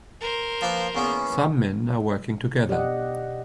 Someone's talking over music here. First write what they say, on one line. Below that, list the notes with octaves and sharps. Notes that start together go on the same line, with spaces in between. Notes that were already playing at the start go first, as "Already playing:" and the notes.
Some men are working together.
A#4 C5
F3 A#3 B4
E2 A#3 B3 C#4
B2 G4 D5 D#5 F#5